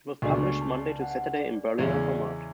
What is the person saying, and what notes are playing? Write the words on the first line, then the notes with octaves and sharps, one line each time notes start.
It was published Monday to Saturday in Berliner format.
C#2 B2 A3 D4 C#6
A5
F#5
D5
D5
E2 C#3 G#3 C#4 E5